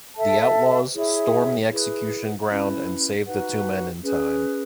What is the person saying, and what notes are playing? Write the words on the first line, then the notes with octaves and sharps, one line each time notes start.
The outlaws storm the execution ground and save the two men in time.
A4 E5 A5
E4 G#4 C#5 E5
E4 G#4 B4
C#4 E4 B4
D#4 F#4 B4 F#5
C#4 G#4 B4